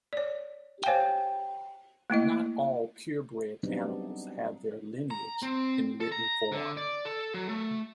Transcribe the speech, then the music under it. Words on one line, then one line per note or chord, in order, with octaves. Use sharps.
Not all purebred animals have their lineage in written form.
C#5 D5
C5 C#5 F5 G#5
A3 A#3 E4 D#5
F#3 G3 B3 C4 D4 D#4
A#5
C4
A4
A#5
D3
D5
A4
F#3
A3